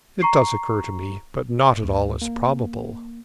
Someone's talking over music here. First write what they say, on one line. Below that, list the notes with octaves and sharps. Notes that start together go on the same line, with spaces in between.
"It does occur to me; but not at all as probable."
A#5 C#6 C7
D2
A#3